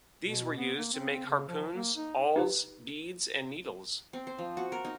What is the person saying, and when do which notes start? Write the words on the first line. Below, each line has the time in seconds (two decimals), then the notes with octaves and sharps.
These were used to make harpoons, awls, beads and needles.
0.24 B2
0.57 B3
0.77 A#3
0.93 C4
1.09 C4
1.26 C#3
1.48 F3
1.75 A#3
1.96 D#4
2.36 D#4 G4 B4
4.13 C4
4.27 C5
4.39 F3
4.57 F#4
4.72 A#4
4.85 D#4